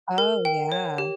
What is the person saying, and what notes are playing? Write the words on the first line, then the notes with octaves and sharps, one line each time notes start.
Oh, yeah.
A#4
G5
C#5
G4